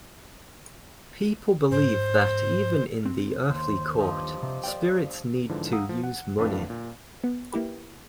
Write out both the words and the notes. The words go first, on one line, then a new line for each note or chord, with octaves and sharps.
People believe that even in the earthly court, spirits need to use money.
G#2 C5
C4
D#2 C5
G2 F3 D#5
C3
D5 G5
G#2 D3 E3 F3
F5 F#5 A#5 D#6 E6
F3
F#5
G1 F2 A2 D4 B4 F5
A#2
B3
A#3 E4 G4 B4